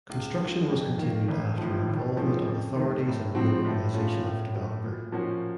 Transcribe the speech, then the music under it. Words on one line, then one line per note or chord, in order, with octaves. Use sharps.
Construction was continued after involvement of authorities and reorganization of developer.
C#2
C#3 F3 A#3
F2
D#3 A#3
A1
A2 F3
D#2
C#3 F3 A3 C#4
F2
D#3 A3
A2
F3 C4 F#4
A2
A3 C#4 F4
A2
F#3 A3
A#2
F3 A#3 C#4 F#4